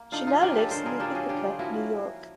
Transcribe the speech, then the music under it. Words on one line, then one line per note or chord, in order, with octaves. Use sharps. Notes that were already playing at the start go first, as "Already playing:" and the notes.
She now lives near Ithaca, New York.
Already playing: A#3
D3 D#4 F4
D#4 F4
F3 A#3 C#4 F4 G4
A4 B4
D3 A#4 C5
G#4 A#4
F3 A#3 C#4 G4 A4
F#4 G#4
D3 F4 G4
F3 A#3 C#4 E4 F#4